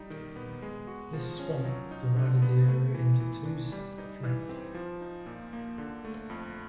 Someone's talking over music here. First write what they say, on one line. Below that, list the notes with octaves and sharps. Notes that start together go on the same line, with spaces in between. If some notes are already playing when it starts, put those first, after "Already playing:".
This swamp divided the area into two separate flanks.
Already playing: G3 D#4
D#3
B3
G#3
F#4
F3
C#4
F#3
D#4
D3
B3
A3
E3
E3
D4
G3
D#4
E3
C4
F3
D#4
A#2
A#3
D3
A3
F2